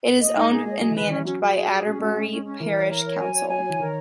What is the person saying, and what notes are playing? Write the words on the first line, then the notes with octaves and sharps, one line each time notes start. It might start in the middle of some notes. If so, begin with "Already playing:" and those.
It is owned and managed by Adderbury Parish Council.
A#3 D#5
G#3 D#4
A#3 G#4
G#3 D#5
F#3 G#4
E3
B4
D#3
E3 C#4
F#3 C#4
G#4
G#4
G#4
C#4
G#3 F#4
C#4
C#4
C#4
E3 A#4
C#5
A#4
C#5
F#3 G#5
C#5
F#3 G#5
F#3
C#5
E3
D#3 A#4